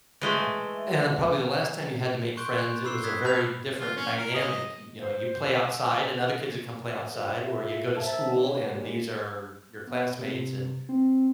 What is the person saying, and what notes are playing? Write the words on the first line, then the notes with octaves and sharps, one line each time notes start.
Yeah, and probably the last time you had to make friends, it was a very different dynamic, you you know, you play outside and other kids would come play outside, or you go to school and these are your classmates, and
E3 G#3 A3
C6 C#6 F#6 G6 D7
F#6 G6
B5 D6 E6 C7 E7 G7
D6 D#6 F#6 G#6 A6 B6
A5 B5 F6 G6 G#6 F7
F4
C#4
A#4
D#5
C5
F4 A4 C5 E5
E4 F4 G#4 E5
A#4 C5 E5 A5
E3 D4 D#4 B4 C#5
D#3 G3 G#3 A#3 C#4 F#4
B2
C3
C4